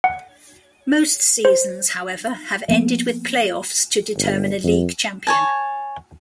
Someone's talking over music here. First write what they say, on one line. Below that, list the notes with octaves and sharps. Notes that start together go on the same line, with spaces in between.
Most seasons, however, have ended with playoffs to determine a league champion.
F#5
C5
F3 A#3 B3
G1
F2
C#5 G#5 A5